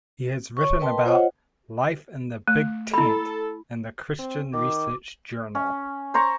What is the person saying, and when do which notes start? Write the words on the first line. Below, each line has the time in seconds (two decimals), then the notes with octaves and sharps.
He has written about "Life in the Big Tent" in the Christian Research Journal.
0.57 C#5 C#6
0.79 A#4 B4 D#5 G5 A5 C6
1.05 F4 C5 C#5 D#5 F#5
2.48 A3
2.94 E4 A4 B5
4.19 C4
4.54 D#3 D6
5.55 C#4
6.14 C5 C#5 A#5 C#6